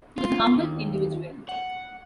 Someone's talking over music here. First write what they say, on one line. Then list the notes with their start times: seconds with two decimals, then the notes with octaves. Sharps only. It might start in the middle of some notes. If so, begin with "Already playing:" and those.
He was a humble individual.
0.18 F4
0.53 D#2
1.49 F#5